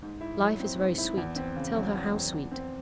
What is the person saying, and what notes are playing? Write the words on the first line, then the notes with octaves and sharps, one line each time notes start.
Life is very sweet,--tell her how sweet.
G#2
E4
F#3
C4
G#2
E4
E2
C4
C#3
F#3
E2
C4
E2
C4